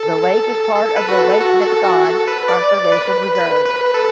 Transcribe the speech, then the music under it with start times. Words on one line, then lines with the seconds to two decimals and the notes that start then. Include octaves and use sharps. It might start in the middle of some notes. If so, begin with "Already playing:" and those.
The lake is part of the Lake Nipigon Conservation Reserve.
Already playing: A4
0.75 A4
0.96 B4
1.09 F#4
1.19 A4
1.40 F#4
1.61 A4
1.84 F#4
2.05 A4
2.27 B4
2.48 D5
2.92 B4
3.36 B4
3.66 B4
3.94 A4